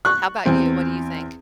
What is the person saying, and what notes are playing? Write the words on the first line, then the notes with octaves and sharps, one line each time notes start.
How about you, what do you think?
C#6 F#6
E2 C4